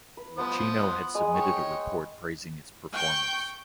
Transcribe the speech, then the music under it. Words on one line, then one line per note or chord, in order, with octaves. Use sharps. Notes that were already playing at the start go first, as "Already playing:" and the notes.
Iachino had submitted a report praising its performance.
B4
F3 B3 C5 B5 D#6
F#5
G#3 D#5
C#5 G5
G5 C#6 G6